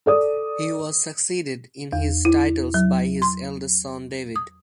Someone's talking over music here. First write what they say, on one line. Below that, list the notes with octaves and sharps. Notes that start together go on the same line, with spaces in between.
He was succeeded in his titles by his eldest son David.
A4 D5 D#6
E2
E4
F#3
C6
D#6